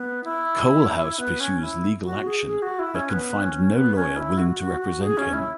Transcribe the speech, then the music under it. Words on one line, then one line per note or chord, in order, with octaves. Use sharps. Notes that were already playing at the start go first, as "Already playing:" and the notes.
Coalhouse pursues legal action, but can find no lawyer willing to represent him.
Already playing: B3
E4
B3
C#4
E4
F#4
G#4
G#4
F#4
E4
C#4
B3
C#4
B3
C#4
E4
F#4
F#4
F#4
G#4
C#4
E4